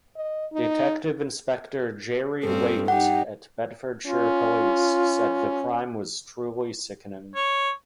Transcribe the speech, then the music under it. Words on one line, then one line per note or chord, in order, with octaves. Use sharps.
Detective Inspector Jerry Waite at Bedfordshire Police said the crime was "truly sickening".
D#5
D#4
G2 C4 C#4 A4
D#4 G4 F#5 G5
C#4 F4
C#5